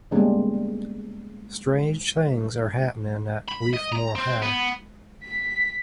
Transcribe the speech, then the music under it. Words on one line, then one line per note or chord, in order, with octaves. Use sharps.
Strange things are happening at Leafmore High.
G3 G#3 A#3 B3 C#4 D4
B5
D#5
A#5
C4
B3
B6